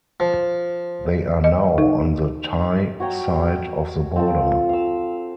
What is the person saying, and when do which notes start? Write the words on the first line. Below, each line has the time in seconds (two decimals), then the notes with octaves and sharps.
They are now on the Thai side of the border.
0.20 F3
1.44 D#5
1.78 D#4
3.00 F#4 C#5 G5 A#5
4.16 C4 F4 A4
4.69 F5 E6